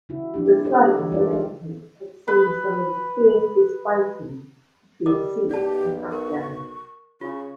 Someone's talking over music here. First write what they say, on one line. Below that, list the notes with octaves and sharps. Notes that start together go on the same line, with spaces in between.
The site selected had seen some of the fiercest fighting between Sikhs and Afghans.
C#3 E4 F#4
F3 A#3 C4 D4 E4 G4
D#4 G4 A4 C#5 D#5
D3 E3 F#4
G3 F4 A#4 D5
D#4 G4
B4 D#5
G3 A#4 D#5 D6
B1 G4 D5 A5
A#4 C#6
C#3 F4 C#6